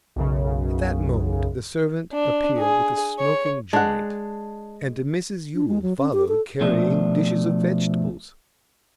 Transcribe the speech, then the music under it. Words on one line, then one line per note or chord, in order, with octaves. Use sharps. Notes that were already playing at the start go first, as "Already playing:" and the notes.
At that moment the servant appeared with a smoking joint, and Mrs Yule followed carrying dishes of vegetables.
B1 F#2 C#3
D4
G#4
C#5
G#3 D4 F#5
D4
G#3
F#3
C#4
G4
A4
B2 F3 A3 D4